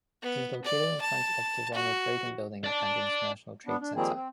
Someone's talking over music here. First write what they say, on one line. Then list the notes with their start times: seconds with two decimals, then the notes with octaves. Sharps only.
It is located in front of the Ronald Reagan Building and International Trade Center.
0.22 B3
0.65 D5
1.01 A5
1.74 F#4
2.64 D5 A5
3.67 B3 D4
3.80 D4
3.95 D#3 F3 G3 A#3 C4 G#4
4.14 C4